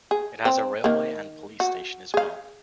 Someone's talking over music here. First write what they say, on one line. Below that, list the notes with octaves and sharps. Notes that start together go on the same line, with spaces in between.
It has a railway and police station as well.
G#4
C4
D#3 A#3
F#4
G#4 F5